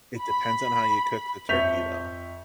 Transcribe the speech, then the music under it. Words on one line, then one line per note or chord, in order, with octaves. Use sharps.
It depends on how you cook the turkey, though.
B5
F2 E5 C#6 G6 B6 F7